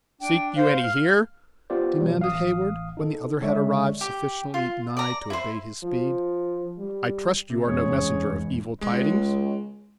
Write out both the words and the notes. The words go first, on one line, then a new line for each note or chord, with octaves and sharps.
"Seek you any here?" demanded Heyward, when the other had arrived sufficiently nigh to abate his speed; "I trust you are no messenger of evil tidings?"
D4 G5
C5 F5
F6
B3 F4 G4 C5 D5
B2 E3 F#3 G3 A#3
A1 F5 D#6
D#4 A4
D3 G#3 A4 C#5 D5 E5
G4
F4
D5 A#5
E4 C5
F3
G3
C3
F1 E2 G#2 C#4 G#4 C#5
C#2 G#3